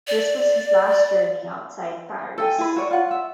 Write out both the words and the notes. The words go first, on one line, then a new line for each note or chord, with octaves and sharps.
This was his last journey outside Paris.
D5
A4 G5 G#5
E4 G#4 B4
F#4 C#5 D5
F4 F#5
E5